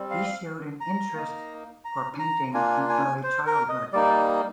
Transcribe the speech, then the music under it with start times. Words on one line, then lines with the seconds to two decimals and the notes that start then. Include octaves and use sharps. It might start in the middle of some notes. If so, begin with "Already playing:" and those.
He showed an interest for painting in early childhood.
Already playing: G3 C4
0.11 F5
0.81 A#5
1.15 A#3 D#4
1.85 A#5
2.19 A#5
2.54 A#3 D4 F4 G#5
2.89 G#5
3.23 C5
3.47 A#4
3.69 D#5
3.93 G3 A#3 D#4 D5